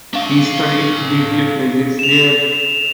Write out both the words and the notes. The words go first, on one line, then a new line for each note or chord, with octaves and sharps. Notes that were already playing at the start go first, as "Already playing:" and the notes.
He studied nuclear physics there.
D4 F5
E7 F7